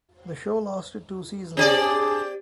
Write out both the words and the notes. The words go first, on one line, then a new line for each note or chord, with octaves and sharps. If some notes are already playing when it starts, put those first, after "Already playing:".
The show lasted two seasons.
C4 D4 G4 G#4 D5